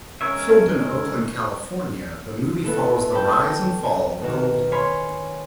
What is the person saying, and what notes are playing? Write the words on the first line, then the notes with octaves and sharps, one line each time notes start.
Filmed in Oakland, California the movie follows the rise and fall of Goldie.
G#3 C#4 A#4 C#5 E5
B3 E4 A4
G5 A5 B5
B2 D#3
C#5 G#5 B5 C6 F6